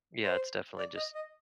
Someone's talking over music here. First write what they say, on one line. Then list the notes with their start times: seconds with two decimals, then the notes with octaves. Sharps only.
yeah, it's definitely just
0.24 C5
0.78 D5
0.96 D#5
1.15 D#5